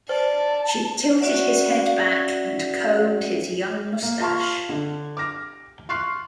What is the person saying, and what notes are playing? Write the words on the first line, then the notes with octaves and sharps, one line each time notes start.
She tilted his head back and combed his young moustache.
C5 D5 A5
C#4 F#4 D5 E5 F#5
A#3
F4 F5 A5 C6 C#6 F6
D3
D6 F6 A#6
C6 C#6 F6 F#6 C7